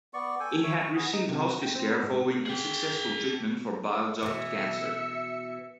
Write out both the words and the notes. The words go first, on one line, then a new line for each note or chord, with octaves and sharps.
He had received hospice care following unsuccessful treatment for bile duct cancer.
B3 D5 C#6
A4 G5 G#5
C#5 E5 C#6
C#6
B3 G#4
D#4
C3
F#4
G5
C4
B3
G#2
G#4 G5
B2 E3 E5 C#7